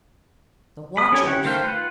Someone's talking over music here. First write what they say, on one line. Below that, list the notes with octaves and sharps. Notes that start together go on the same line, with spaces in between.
The watchers!
B5 D#6
C#4 G4 A4 C#5 G#5
C#4 E4 G4 F#5 C#6
D#3 A3 C5 F5 G5
F4 B4 F#5